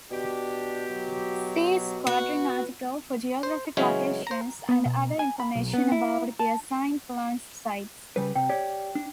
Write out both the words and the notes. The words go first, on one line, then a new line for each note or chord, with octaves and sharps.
See squadron article for geographic locations and other information about the assigned launch sites.
B2 D4 G4
F#3
F#4 B4
C5
C#3 E3 F#3 G#3 C#4 C#5
C5 A#5
B3
B2
G#5
B5
B1
B3
E4
A5
C#3 G3 B4
C3 G5
G4 C#5 D5
D4